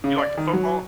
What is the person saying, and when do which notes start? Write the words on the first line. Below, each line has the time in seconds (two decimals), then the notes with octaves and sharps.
You like the football?
0.04 C#3
0.18 D5
0.37 D#3
0.53 F#3